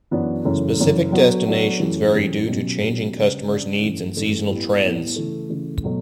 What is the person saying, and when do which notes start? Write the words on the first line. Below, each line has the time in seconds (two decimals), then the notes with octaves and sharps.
Specific destinations vary due to changing customer's needs and seasonal trends.
0.11 F#2 E3 B3 D4 F#4
0.45 F#2 C#3 E3 A3
0.79 F#2 C#3 E3 A3
1.12 F#3 B3 D4 F#4 A4
1.46 F#3 B3 D4 F#4 A4
1.79 F#2 E3 A3 C#4 G4
2.13 F#2 E3 A3 C#4 G4
2.47 B2 F#3 C#4 G4
2.80 B2 F#3 C#4 G4
3.15 C#3 G3 D4
3.48 C#3 G3 D4
3.81 G2 E3 A3 C#4
4.16 G2 E3 A3 C#4
4.49 A2 G3 B3 E4 G4
4.83 A2 G3 B3 E4 G4
5.16 C#3 E3 A3
5.49 C#3 E3 A3
5.84 B2 F#3 A3